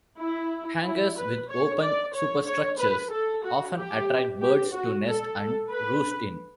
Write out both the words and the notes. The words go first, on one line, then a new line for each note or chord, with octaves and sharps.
Hangars with open superstructures often attract birds to nest and roost in.
E4
E4
B4
C#5
D5
C#5
C#5
B4
A4
F#4
G4
G4
F#4
A4
B4